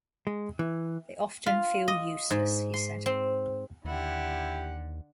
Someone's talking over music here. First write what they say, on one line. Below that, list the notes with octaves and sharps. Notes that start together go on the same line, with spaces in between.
"They often feel useless," he said.
G#3
E3
F4
D#5
G#2
C6
C4
D#2 D3 E4 G4 F#5